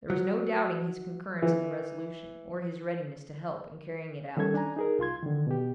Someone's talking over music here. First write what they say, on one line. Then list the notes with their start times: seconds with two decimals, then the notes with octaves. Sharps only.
There was no doubting his concurrence in the resolution, or his readiness to help in carrying it out.
0.10 F#3
1.42 E3
4.37 D#3 G3 C#4 A4 G#6
4.54 D4 G#5 A#5
4.76 D#4 G#4 A#4
4.99 C2 F4 C6 G#6
5.23 D3 D#3
5.47 B2 G4